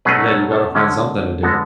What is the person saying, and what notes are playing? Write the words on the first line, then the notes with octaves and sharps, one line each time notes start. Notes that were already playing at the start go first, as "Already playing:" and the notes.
Yeah, you gotta find something to do.
B2 F#3 A3 C#4 G#4 B4
A4 C#5
A4 C#5
D3 G#3 C#4
D3 G#3 B3 F#4 A4